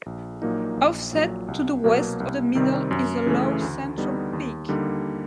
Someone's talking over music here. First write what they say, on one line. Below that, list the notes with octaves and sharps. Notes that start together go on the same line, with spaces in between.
Offset to the west of the middle is a low central peak.
A#1
A#2 F#3 A#3 D#4
A#1
A#2 F#3
C2
B2 F#3 A#3
C2
C3 D#3 G3 C4
F#2
C#3 E3 A3
D2
D3 G3 B3 D#4
D#2
D3 G3 A#3 D#4